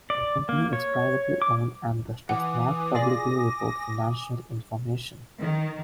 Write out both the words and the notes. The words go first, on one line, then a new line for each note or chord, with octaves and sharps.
The company is privately owned and thus does not publicly report financial information.
D5
A#3
C#5
D6
E3 F#5 G#5 D6 D#6
F4 G#4 D5 A#6
D#3